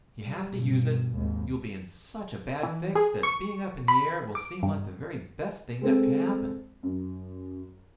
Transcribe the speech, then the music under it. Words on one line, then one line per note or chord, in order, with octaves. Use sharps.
If you have to use it, you'll be in such a bad fix that being up in the air will seem like the very best thing that could happen.
G3
G2 B2
G#1 D#2 G#2
E3
G#4
C#6
B5
D6
G2
G#3 C4 A4
F#2